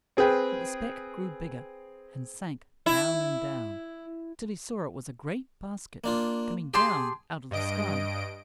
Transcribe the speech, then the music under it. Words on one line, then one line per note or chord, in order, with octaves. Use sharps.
But the speck grew bigger, and sank down and down, till he saw it was a great basket coming down out of the sky.
C4 G#4 B4 G5
E4
A#3 D4 F4
G4 G#4 A5 C6
G2 D#5 D7